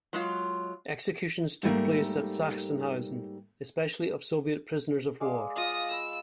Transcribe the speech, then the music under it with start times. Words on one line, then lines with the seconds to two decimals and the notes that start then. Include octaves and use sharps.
Executions took place at Sachsenhausen, especially of Soviet prisoners of war.
0.13 F#3 G#3 F4
1.63 G#2 G3 A3 A#3 A#4
5.20 G#3 D5 F5
5.56 F4 D#5 D#6 A#6
5.91 B5 E6